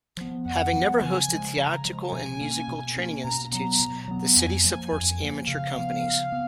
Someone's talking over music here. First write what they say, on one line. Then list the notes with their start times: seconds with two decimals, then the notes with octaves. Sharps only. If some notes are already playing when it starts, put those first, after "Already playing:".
Having never hosted theatrical and musical training institutes, the city supports amateur companies.
0.17 F3 B3
0.45 F2 F#5
0.73 F3 B3
1.01 C#3 G#5
1.28 F3
1.34 G#3
1.57 C#3 A#5
1.85 F3 G#3
2.13 B2 G#5
2.41 A#3 C#4
2.68 B2
2.96 A#3 C#4
3.25 B2 A#5
3.52 F#3 B3
3.80 B2
4.08 F#3 B3
4.36 F2 G#5
4.64 F3 A#3
4.93 F2
5.20 F3 A#3
5.48 C#3 F5
5.76 F3 B3
6.04 C#3
6.32 B3